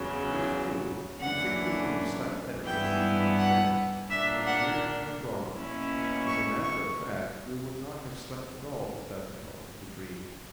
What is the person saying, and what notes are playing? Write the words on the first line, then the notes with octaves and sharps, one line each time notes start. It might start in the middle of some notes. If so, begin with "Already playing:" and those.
It is true, we think we would have slept better if we had not dreamt, but here we are wrong; as a matter of fact, we would not have slept at all without the help of the dream.
Already playing: E2 C#3 F#3
F#2 E3 A#3 D4 F#5
G2 E3 B3 E4 G5
F#5
A#2 A#3 D4 E5
F#5
B2 A#3 C#4 E4
C#6
C#6